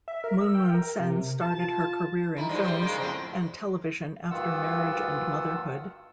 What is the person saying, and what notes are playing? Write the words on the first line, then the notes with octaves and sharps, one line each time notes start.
Moon Moon Sen started her career in films and television after marriage and motherhood.
E5
A#4
E6
G5
A#4
C3
F4 A5
D#3 E4
F3 G3 G#3
G3 C5
C#3 G#3 A#3
F2 A2 C4
D2 G2 D#3 F4 F#5 E6